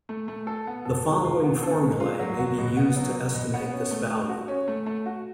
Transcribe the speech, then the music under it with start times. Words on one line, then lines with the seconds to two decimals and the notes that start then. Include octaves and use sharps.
The following formulae may be used to estimate this value.
0.09 A3
0.28 A3
0.47 A4
0.67 B3
0.85 A4
1.05 G#3
1.24 F4
1.43 B3
1.63 A4
1.81 G#3
2.00 F4
2.19 F#3
2.39 F#4
2.58 B2
2.77 B3
2.96 F#3
3.15 F#4
3.34 B2
3.54 B3
3.73 C#4
3.91 A3
4.11 A3
4.29 F#4
4.48 C#4
4.68 A3
4.86 A3
5.06 F#4